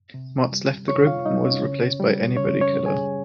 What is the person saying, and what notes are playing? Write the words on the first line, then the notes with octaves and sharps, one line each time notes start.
Marz left the group, and was replaced by Anybody Killa.
C3
G3
C3 C#5 C#6
F4 F5
G3 D#4 D#5
C#4 C#5
C#3
G3
C#3 C#4 C#5
C#4 C#5
G3
G#4 G#5